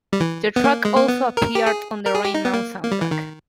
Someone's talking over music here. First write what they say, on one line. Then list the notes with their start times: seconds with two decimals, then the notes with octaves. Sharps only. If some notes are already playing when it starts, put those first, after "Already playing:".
The track also appeared on the "Rain Man" soundtrack.
0.13 G3
0.20 E3
0.56 B3
0.64 A#3
0.85 G#3
0.96 A#3
1.08 B3
1.37 A#4
1.55 G4
1.66 G#4
2.06 A#4
2.15 G#4
2.25 G4
2.35 D#4
2.45 B3
2.54 A#3
2.83 A#3
2.92 G3
3.01 E3
3.11 D#3